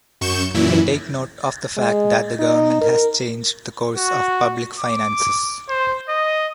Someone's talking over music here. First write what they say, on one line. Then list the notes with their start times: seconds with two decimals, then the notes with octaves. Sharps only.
I take note of the fact that the Government has changed the course of public finances.
0.21 F#2 C#6 G6 E7
0.54 F#2 A#2 E3 E4
1.77 G#3
2.39 D#4
2.81 A#4
3.96 F#4
4.79 D6
5.69 C5
6.09 D#5